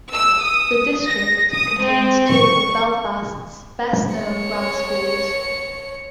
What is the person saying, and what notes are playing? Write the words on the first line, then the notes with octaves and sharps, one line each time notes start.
The district contains two of Belfast's best known grammar schools.
E6
D#6
A#6
D#6
C4
C#6
C#5 C#7